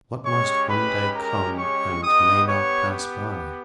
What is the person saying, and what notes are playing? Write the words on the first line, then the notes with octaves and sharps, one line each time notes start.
What must one day come and may not pass by?
G#3 C#4 G4 C#5 C#6
B4 B5
A#4 A#5
C#5 C#6
B3 G4 D#5 D#6
C#5 C#6